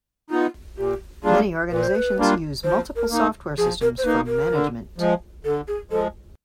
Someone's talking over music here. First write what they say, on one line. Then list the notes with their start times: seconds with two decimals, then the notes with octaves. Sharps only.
Many organizations use multiple software systems for management.
0.30 B3 D#4 F4
0.78 A#2 G4
1.24 G3 A#3 D4 F4 G#4
1.70 A#2 B4
1.83 C5
1.95 B4
2.17 G3 A#3 D4 F4
2.64 F3 C5
2.96 A#4
3.11 A#3 D#4
3.57 F3 G#4
3.82 A#4
3.98 C5
4.04 A#3 D#4 B4
4.27 A#4
4.51 D3
4.98 F3 G#3
5.45 D3 A4
5.68 G#4
5.91 F3 G#3 A4